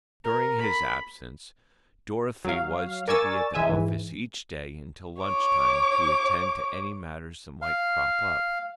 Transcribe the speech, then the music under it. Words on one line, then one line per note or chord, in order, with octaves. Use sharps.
During his absence, Dorothy was to be at the office each day until lunch time to attend to any matters that might crop up.
A#4
B5
F#3 F5
A#4 D5 G#5 C#6 E6 A6
E3 G#3 E5 G#5 D#7
G#2 E3
C#5 D6
F5